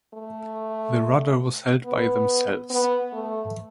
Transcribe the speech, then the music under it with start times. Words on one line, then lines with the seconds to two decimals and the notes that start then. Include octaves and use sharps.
The rudder was held by themselves.
0.14 A3
1.85 B3
2.70 B3
3.13 A3